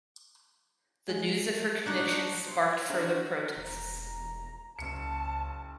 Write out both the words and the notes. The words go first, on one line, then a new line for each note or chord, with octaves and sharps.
The news of her conviction sparked further protests.
G#3
D4 D#4 F#4
C4 E4 C5 C#5
D4 F#4 A#4 C5
E1 A#5
F#1 C#2 A5 C#7